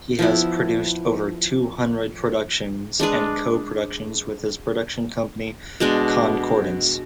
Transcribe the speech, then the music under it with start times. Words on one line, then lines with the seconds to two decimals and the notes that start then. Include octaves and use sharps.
He has produced over two hundred productions and co-productions with his production company Concordance.
0.19 F3 B3 E4
3.00 G#3 D4 G#4 B4
5.80 B2 G#3 D4